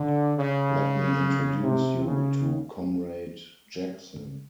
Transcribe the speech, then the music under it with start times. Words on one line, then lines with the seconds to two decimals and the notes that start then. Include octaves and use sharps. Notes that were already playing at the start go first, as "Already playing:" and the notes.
Let me introduce you to Comrade Jackson.
Already playing: D3
0.36 C#3
1.63 C3
2.04 C#3